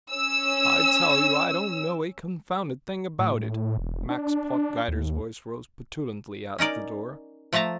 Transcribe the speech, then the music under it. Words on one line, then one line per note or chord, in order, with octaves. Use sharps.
"I tell you, I don't know a confounded thing about it," Max Pottgeiter's voice rose petulantly at the door.
C#4 E6
A2
E1
D4
D#2
C#4 D#4 A#4 D5
F3 A3 E5 A5 A#5